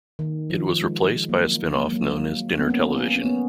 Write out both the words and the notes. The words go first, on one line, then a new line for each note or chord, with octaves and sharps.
It was replaced by a spin-off known as Dinner Television.
D#3
F3
G#3
F#3 A#3
A#3
G#3
F#3 A#3
B3
A#3 C#4
C#4
B3